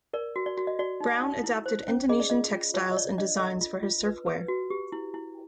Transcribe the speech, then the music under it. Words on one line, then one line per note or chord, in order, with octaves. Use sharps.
Brown adapted Indonesian textiles and designs for his surfwear.
A#4 D5
F#4
D5
F#4
D#5
F#4 D5
D#4
D#4
E4
C5
C#4
G#4 D#5
D5
F4 D#5
F4
F4 C#5
D#5
C#5 D5
D4 D#5
A4 D#5
F4
F4
B4
B4
F#4
G4
E4
E4